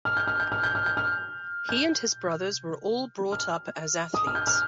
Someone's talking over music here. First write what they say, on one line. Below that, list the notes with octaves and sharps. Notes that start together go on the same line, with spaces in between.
He and his brothers were all brought up as athletes.
F6
G6
F6
G6
F6
G6
F6
G6
F6
G6
F6
D#6
F6
G6
F6